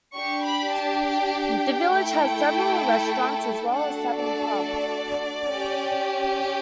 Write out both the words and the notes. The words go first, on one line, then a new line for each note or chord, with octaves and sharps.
The village has several restaurants as well as seven pubs.
D4 G4 C#6
B5
A5
G5
A3 E4 A4
A3 D4 F#4 A4 F#5
D5
C#4 G4